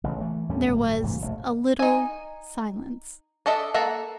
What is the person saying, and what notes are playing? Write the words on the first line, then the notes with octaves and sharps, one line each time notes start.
There was a little silence.
A1 C#3
E3 A3
D#2 A2 G3 C#4
G1 A2 F#3
G2 C3 E3 F#3
F1 A#1 A3
D#4 G#5
D4 A4 D#5 E5
A#3 A4 E5 F#5 A#5